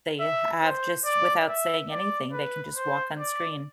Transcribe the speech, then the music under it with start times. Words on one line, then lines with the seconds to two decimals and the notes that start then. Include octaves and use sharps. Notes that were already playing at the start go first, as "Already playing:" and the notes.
they have just without saying anything, they can just walk on screen.
0.20 E5
0.63 C5
1.05 D5
1.48 E5
1.90 D5
2.33 B4
2.76 C5
3.19 D5